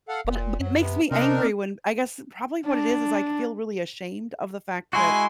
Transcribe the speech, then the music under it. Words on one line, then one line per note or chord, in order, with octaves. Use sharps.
but it but it makes me angry when I guess, probably what it is is I c feel really ashamed of the fact that
A4 F5 F#5
F1 A#2
F#2 F#3
C3 B3
C3 C4 D4 D#4 A#4
D4
G#3 E4 F#4 G#5 C6